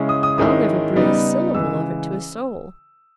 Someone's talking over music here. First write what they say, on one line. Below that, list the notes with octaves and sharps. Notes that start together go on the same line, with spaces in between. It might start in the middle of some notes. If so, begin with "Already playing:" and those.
I'll never breathe a syllable of it to a soul!
Already playing: C#3 G#3 C#4 E4
D#6
D#6
G#2 D#3 G#3 C#4 E4 D#6
C#3 G3 B3 D#4
C#3 E3 G#3 E6